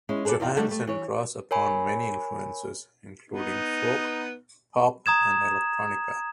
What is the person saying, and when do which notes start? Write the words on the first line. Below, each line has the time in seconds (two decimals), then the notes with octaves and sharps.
Johansen draws upon many influences, including folk, pop, and electronica.
0.09 G#3 C#4 E4
0.25 G#4 A4 B4 C5 D5
0.40 E2 A#2 D#4 F4 D5 G5
0.57 G3 A3 D4 D#4 F#4 A4
0.68 G3 A3
0.87 E3 C#5
1.51 A#4 C#5 G#5 B5
3.30 B3 D#4
5.06 A#5 D#6 G#6 E7